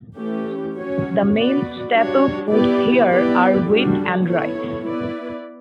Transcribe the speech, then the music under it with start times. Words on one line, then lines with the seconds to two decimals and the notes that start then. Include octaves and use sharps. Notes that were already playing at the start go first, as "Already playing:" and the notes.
The main staple foods here are wheat and rice.
0.17 E3 A3 C#4 G4
0.75 F#3 C#4 F#4 C#5
1.34 B3 F#4 B4 D5
1.92 G3 D4 F#4 C#5
2.51 B3 E4 G4 B4 D5
3.09 B3 E4 G4 B4 D5
3.67 D3 G3 D4 F#4
4.25 B3 E4 A4 C#5
4.84 B3 E4 B4 D5